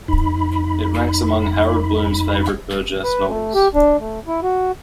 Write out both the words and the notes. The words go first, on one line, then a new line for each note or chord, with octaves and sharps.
It ranks among Harold Bloom's favourite Burgess novels.
F2 D#4 B5
B4
A3
G4
D4
A3
E4
F#4